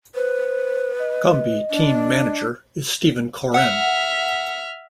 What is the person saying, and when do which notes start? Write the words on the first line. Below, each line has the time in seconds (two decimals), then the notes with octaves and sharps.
Comby Team manager is Steven Corren.
0.15 B4 C5
0.99 D#5
1.71 D4
3.54 E5 F#5 F6